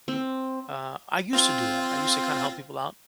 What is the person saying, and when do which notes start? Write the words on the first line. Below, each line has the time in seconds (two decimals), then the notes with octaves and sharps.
uh, I used to do that, I used to kinda help people out,
0.08 C4
1.33 C4 F4